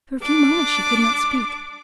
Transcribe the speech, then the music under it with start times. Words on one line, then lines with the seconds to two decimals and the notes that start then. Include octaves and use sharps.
For a few moments she could not speak.
0.23 D4 D6